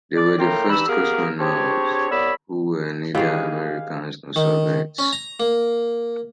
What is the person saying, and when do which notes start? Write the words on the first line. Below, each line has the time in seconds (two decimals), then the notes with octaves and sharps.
They were the first cosmonauts who were neither Americans nor Soviets.
0.15 D5
0.39 A2 A#3 A#4 G5 A#5 C6
0.68 G2 E3 D#4 B5 E6
0.88 A#3 B3 G4 G#4 A#4
1.39 C4 D4 G4 G#4 C#5
2.10 C2 B3 C#5 D5 B5 E6
3.15 D#3 E3 B3 G4 G#4 F5
4.36 D#3
4.99 C#4
5.13 A#5
5.40 A#3